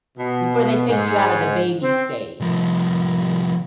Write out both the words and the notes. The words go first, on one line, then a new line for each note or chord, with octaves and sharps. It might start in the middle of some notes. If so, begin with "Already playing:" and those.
Before they take you out of the baby stage
B2
G#2
C4
C2 F3